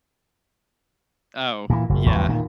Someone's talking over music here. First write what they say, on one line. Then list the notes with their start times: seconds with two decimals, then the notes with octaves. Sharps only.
Oh, yeah.
1.70 A#2 E3
1.89 F#1
2.06 G1 E2 A2 F#3
2.29 A#2 D#3